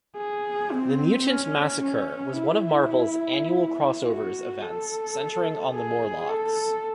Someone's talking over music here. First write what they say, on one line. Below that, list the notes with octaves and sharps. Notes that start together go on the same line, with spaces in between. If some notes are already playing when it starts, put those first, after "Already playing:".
The "Mutant Massacre" was one of Marvel's annual crossovers events, centering on the Morlocks.
G#4
C4
C#4
C#4
E4
F#4
A4
G#4
A4